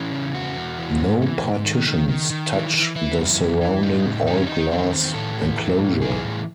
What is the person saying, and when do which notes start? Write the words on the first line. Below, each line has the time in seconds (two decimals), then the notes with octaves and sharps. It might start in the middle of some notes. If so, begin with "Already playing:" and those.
No partitions touch the surrounding all-glass enclosure.
Already playing: E3 C#4
0.12 C#3
0.34 E2 F#4
0.56 E2
0.79 E3
1.00 G#2
1.22 E3
1.44 G#2
1.65 D#3
1.86 D#3
2.08 D#3
2.30 D#3
2.53 E3
2.74 E3
2.96 E3 E4
3.18 F#2
3.40 E3
3.61 E3
3.83 A2 D#4
4.05 A2
4.27 D#3 D#4
4.37 C#4
4.47 D#3 D#4
4.70 E2 C4
4.92 D#3
5.14 A2 A4
5.36 E3
5.58 E3
5.79 A2
6.02 E3 G#4
6.23 A2